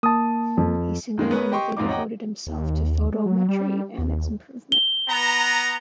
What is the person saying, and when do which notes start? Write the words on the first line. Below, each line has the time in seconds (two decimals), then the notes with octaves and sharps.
He singlemindedly devoted himself to photometry and its improvement.
0.03 A#3 A5 D#6
0.57 F2
1.18 F#2 D#3 G#3 A#3
1.31 B3 A#4 B4 C#5
1.52 G4 D#5 G5 C6 C#6
1.77 E2 G#2 F3 C4 D#4 D6
1.89 C#5 D#5 F#5 G5 A#5 D6
2.47 D#2
3.12 G#3
3.26 F#3
3.48 G3
3.98 D#2
4.72 G7
5.09 B3 A#5